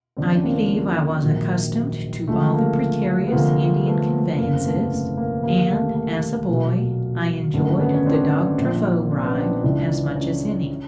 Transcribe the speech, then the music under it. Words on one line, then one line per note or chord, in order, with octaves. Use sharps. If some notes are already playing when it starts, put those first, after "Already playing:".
I believe I was accustomed to all the precarious Indian conveyances, and, as a boy, I enjoyed the dog-travaux ride as much as any.
D#2 C#3 F3 C4 D4
C#4
A#3 C4
A#3
A#1 G#2 D#3 F#3
D2 C#3 F3 G#3 A3
A#3
B3
D2 C3 F3 G#3 A#3 C4
A3 B3
F#1 E2 C#3 A#3
C4
A3 B3
A3
A#3
D#2 D3 G3 A#3
A3
A#3
B1 A#2 F#3
G#1 F#2 D3 F#3 A3
B3 C#4
C#4
C4 D4
A#1 A#2 F3
C4 D4
B3 C#4
C4 D4
C#4 D#4
C#2 C#3 E3 G#3 D4 E4
C#4 D#4
C#3